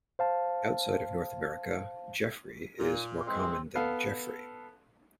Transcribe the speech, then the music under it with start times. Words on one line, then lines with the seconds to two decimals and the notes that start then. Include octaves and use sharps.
Outside of North America, "Geoffrey" is more common than "Jeffrey".
0.19 C5 F5 A5
2.80 A#2
3.27 C#3 E3 G#3 C4
3.75 B3 A4 F5